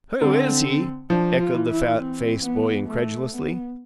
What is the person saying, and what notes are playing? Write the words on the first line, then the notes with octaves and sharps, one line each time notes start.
"Who is he?" echoed the fat-faced boy incredulously.
D3 C4
F3 D4
F4
E3
E4
C4
B3
A3
B3